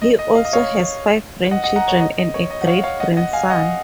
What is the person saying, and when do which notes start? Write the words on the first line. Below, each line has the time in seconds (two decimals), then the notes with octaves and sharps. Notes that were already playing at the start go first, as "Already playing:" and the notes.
He also has five grandchildren and a great-grandson.
0.02 D#5
0.19 D#5
0.35 F5
0.45 D#5
0.53 C#5 F5
1.51 D#5 F#5
1.64 D#5 F#5
1.76 F#5 A#5
1.88 C#5
2.01 D#5
2.18 D#5
2.34 C#5
2.51 D#5
2.61 F#5
2.67 C#5 F5
2.84 C#5 F5
3.00 D#5 F#5
3.17 D#5 F#5
3.33 F5 G#5
3.50 D#5 F#5